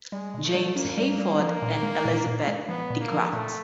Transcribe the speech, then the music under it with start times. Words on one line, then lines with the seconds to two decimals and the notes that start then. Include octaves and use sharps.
James Hayford and Elizabeth de Graft.
0.12 G3 G#3
0.34 B2
0.44 A3
0.54 G3
0.76 A#3 C#4
0.97 G3
1.08 A#3
1.19 G3
1.40 F3
1.62 A#2
1.83 G#3
2.05 A#2
2.26 A#2
2.47 G#3
2.69 F3 B3
2.90 A#2
3.00 A#3
3.11 F3
3.32 A#2 A3